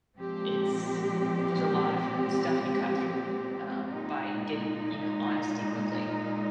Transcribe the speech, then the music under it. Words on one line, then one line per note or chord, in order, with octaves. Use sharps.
it's there's a lot of stuff you cut through, um, by getting, you know, honesty quickly,
A#2 F3 G#3 C4 G4
A#2 G#3 D#4